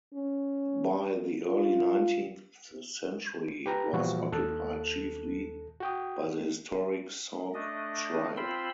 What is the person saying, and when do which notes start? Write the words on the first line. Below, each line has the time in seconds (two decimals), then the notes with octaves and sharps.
By the early nineteenth century, it was occupied chiefly by the historic Sauk tribe.
0.14 C#4
1.46 F4
3.66 G4 B4 A#5
3.93 A#2 E3 F3 G3 F4 F#4
4.32 D#2 A4 A5 F#6
5.80 F#4 G5 D#6
7.54 A3 D4 D#5
8.37 C4 F4 B5 C6 E6